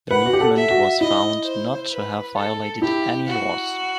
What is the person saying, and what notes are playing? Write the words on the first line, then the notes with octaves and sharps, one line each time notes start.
The movement was found not to have violated any laws.
B4 F#5
F#4
G4
A4
E5
F#4
E4 D#5
C5
B4
A4
E4 G4
F#4